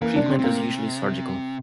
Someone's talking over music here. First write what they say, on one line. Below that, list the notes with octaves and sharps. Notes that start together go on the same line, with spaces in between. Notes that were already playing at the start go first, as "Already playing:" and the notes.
Treatment is usually surgical.
E3 A#3
C3 D4
C4
C3
A#3